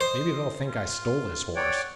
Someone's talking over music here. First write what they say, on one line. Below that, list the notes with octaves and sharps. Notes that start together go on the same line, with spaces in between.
'Maybe they'll think I stole this horse.
C5 D#5
F4
C#5 D5 F#5 G5